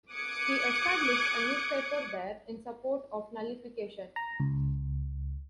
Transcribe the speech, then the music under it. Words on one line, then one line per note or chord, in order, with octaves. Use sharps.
He established a newspaper there in support of nullification.
D6 D#6 F#6 G#6 C#7
A#5
C#2